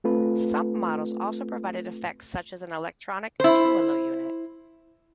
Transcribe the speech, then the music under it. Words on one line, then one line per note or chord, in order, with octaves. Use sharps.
Some models also provided effects such as an electronic tremolo unit.
A3 C4 F4 A4 B4
E4 C5